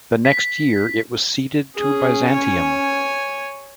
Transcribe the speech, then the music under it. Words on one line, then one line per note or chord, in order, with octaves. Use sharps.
The next year it was ceded to Byzantium.
B6
C#4 G#4
C#5 G#5